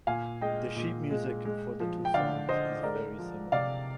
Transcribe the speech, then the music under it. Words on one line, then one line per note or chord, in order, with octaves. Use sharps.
The sheet music for the two songs is very similar.
A#2 F5 G#5
G#3 D#5 G5
A#2
G#3
G#3
F3
G5
D3 D5 F5
D3 C5 D#5
G#3 A#4 D5
F3
C3 D5 F5